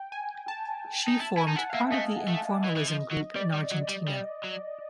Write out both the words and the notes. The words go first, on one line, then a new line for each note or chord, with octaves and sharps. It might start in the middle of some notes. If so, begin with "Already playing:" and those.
She formed part of the Informalism group in Argentina.
Already playing: G5
G#5
A5
D#4
E4 A5
E4 G#5
D#4
E4 F#5
F5
A#3 E5
A3 D#5
A3
E3
E3
F3
F#3
G3 D5
G3
F#3
G3
G3
F#3